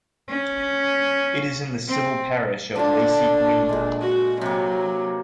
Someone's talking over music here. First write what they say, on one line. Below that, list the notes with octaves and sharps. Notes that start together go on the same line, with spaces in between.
It is in the civil parish of Lacey Green.
C#4
C4
D3 D4 F4 A5
A#2 G#3
F#4
C3 F#3 A#3